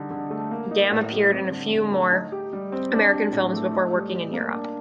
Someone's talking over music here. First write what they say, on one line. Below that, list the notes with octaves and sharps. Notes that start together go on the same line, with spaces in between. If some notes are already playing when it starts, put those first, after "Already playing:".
Gam appeared in a few more American films before working in Europe.
Already playing: D3 G3 D#4
D3
A3
A#3
D#4
A2
G3
C4
D3
D3
A3
D#4
G4
G3
C4
D4
G4
A2
A3
D#4
G3
G3
A#3
D4